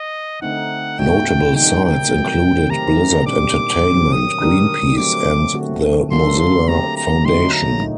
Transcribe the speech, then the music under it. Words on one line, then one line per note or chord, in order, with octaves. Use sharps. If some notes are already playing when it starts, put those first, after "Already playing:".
Notable sites included Blizzard Entertainment, Greenpeace, and The Mozilla Foundation.
Already playing: D#5
D3 A3 C4 D#4 F#5
A#2 A3 D4 F#4 G5
D#3 G3 C4 D#4 G5
G5
C3 F#3 A3
D#3 A3 C4 G4 A#4 A#5
A#2 G3 D4 D6
D#3 F#3 C4
D#6
D3 G3 D4 G4 A#4
F#3 A3 C4 D6
D3 A3 C4 F#4
D3 F#3 A#3 D4 A4 C6
C6
A3 C4 G4 A#5
A#5
D3 F#3 A3 D#4 F#4 C6
A#5
A#2 A3 D#4